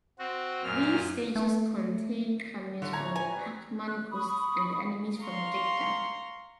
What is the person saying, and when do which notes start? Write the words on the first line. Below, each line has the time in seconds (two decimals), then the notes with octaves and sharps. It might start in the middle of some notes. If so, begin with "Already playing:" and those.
These stages contain cameos from the "Pac-Man" ghosts and the enemies from "Dig Dug".
0.19 C4 F#4
0.63 F#2 A#2 F6
1.36 A3
2.82 A2 D3 C#6
2.93 A#5 G#6
3.16 G#5
3.30 G3 F#4 B4
3.85 F#6
4.11 B5 C#6 D#6
5.21 F5 A#5 C6 C#6